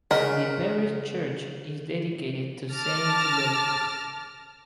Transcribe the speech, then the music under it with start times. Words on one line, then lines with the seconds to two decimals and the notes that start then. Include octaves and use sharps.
The parish church is dedicated to Saint Luke.
0.11 C#3 C#4 A#4 D#5 F#5 B5
2.74 A5 D6 F6 A6 A#6